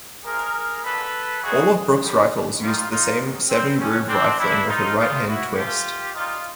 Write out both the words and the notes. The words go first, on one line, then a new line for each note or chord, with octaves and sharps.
All of Brooke's rifles used the same seven-groove rifling with a right-hand twist.
G#2 F3 G#3 G#4 A#4
F#2 D3 F3 A4 B4
C2 C3 D#3 G3 F#4 G#4
F2 D3 G3
F#2 D#3 G3 A#3 D#4 F4
D#4 F4
G#2 D#3 F#3 B3
C4
B2 F#3 A3 C4 C#4
C4 D4
F#2 D#3 G3 D4 E4
D#4 F4
D#2 C#3 E3 G3 A#3 D#4 F4
E4 F#4
G#2 F3 A3 C4 F4 G4
A#2 G3 A#3 D#4 F4